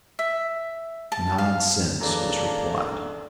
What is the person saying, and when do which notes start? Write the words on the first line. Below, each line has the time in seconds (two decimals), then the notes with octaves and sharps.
"Nonsense," was replied.
0.19 E5
1.12 A5
1.38 F5
2.00 F#2 E3 G#3 A#3 D4 A4 D5 A#5